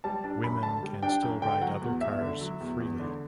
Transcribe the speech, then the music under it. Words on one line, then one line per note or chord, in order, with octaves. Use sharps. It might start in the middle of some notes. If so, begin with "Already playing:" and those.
Women can still ride other cars freely.
G3 A5
D4 A5
F#2 B5
D3 A5
G3
D4 G5
F#2
D3 G5
F#3 F#5
E2
E2 E5
D3
F#3
E2
E2
D3